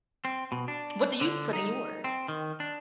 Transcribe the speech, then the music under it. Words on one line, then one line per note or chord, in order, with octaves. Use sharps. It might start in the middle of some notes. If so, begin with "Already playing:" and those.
What do you put in yours?
C4
B2
D4
D3
D#4
C4
D#3
D4